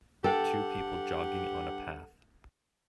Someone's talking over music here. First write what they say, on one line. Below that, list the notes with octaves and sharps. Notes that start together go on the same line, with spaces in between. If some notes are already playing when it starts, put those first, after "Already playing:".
Two people jogging on a path.
G2 G4 A4 F#5 G5